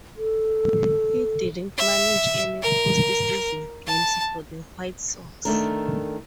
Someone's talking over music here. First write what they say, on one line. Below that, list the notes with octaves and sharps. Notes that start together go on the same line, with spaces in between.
He didn't manage any post-season games for the White Sox.
A4
E5
A#4
A5
D#3 A3 D4 A#4